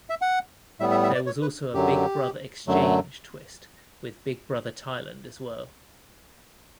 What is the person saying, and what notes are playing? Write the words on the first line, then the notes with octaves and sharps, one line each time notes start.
There was also a "Big Brother Exchange" twist with Big Brother Thailand as well.
E5
F#5
A2 G3 B3 E5
E5
E5
D5
C#5
B4
F#2 D3 F#3 G4
F#2 D3 F#3 A3